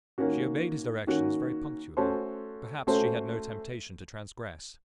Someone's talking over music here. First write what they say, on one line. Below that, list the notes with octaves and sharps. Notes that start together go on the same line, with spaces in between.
She obeyed his directions very punctually: perhaps she had no temptation to transgress.
D#3 A#3 C#4 F#4
D#3 A#3 C#4 F#4
A3 C#4 F#4 A4 C5
A3 C#4 F#4 A4 C5